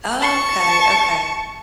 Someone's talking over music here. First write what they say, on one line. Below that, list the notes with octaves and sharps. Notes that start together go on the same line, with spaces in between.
Okay. Okay.
A5 C#6